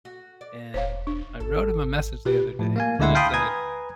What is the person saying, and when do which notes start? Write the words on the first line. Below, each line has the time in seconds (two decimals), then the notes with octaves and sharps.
and I wrote him a message the other day, and I said,
0.05 F#4
0.41 D5
0.74 E1 C5 C#5 F5
1.07 D4
1.40 G#1 A4
2.25 B2 G3 F4 G4 B4
2.59 A2 F3
2.76 A#3 F5 G#5
2.99 D2 D3 G#3 E4 F#5 C6
3.15 F5 G5 A5 B5 C6 D#6
3.34 B4 G#5 A#5 D#6 G#6